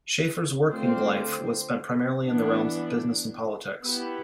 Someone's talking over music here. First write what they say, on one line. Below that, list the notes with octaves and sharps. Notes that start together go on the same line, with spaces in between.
Schafer's working life was spent primarily in the realms of business and politics.
D3 A3 C4 F4 C5
E3 B3 D4
B3 E4 G4